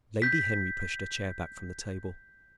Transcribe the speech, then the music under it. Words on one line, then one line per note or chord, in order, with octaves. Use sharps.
Lady Henry pushed her chair back from the table.
G6 B6